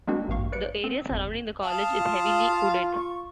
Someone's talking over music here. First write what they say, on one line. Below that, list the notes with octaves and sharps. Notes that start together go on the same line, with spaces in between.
The area surrounding the college is heavily wooded.
G#3 A#3 C4 D4 D#4 F#4
A1 G2 A#3 F5 C#6
B4 D5 C#7 D7
C4
G1 F2
F5 A5 D#6
F4
C#6